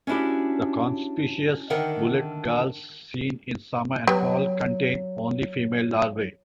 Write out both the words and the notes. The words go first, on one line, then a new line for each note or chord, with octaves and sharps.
The conspicuous bullet galls seen in summer and fall contain only female larvae.
C#4 D4 E4 F#4 G4
D3 D#3 A#4 E5 F#5 G5
F#3 G3 B3